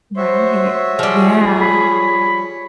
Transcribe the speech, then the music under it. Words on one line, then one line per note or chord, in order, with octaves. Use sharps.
Right, yeah.
F#4 C5 C#5 E5
F3 G3 G#4
C#5 B5